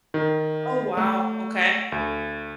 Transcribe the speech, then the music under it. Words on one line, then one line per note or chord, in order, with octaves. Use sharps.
Oh, wow. Okay.
D#3
A3
D2